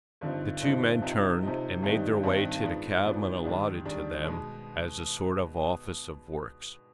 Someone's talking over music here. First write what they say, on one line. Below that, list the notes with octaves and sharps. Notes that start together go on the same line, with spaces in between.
The two men turned and made their way to the cabin allotted to them as a sort of office of works.
G2 D3 F3 C4 D#4
G2 D3 F3 C4 D#4
C3 F3 C4 D#4
C3 F3 C4 D#4
G2 D#3 G3 C4 D#4
G2 D#3 G3 C4 D#4
G#2 F3 B3 D4
G#2 F3 B3 D4
G#2 D#3 G3 D4
G#2 D#3 G3 D4
B2 G#3 B3